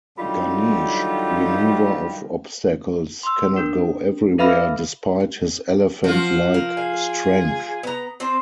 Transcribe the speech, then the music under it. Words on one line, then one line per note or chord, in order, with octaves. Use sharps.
Ganesh, remover of obstacles, cannot go everywhere despite his elephant-like strength.
D3 D#3 F#3 G3 F4
C6 E6
D4 A#4
A4 B4 E5 F5 B5 F6
F3 F4 F#4
A#4
G#4 F5
B3 A#5
C4 D4 C5